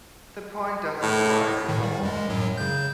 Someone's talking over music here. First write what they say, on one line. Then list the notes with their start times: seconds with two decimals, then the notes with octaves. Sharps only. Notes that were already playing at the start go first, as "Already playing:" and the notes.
The point doesn't arise at all.
1.02 A2
1.68 A2 D#3
1.83 G3
2.03 F#2 G#3
2.29 F#2 A2 F#3
2.57 C#3 G6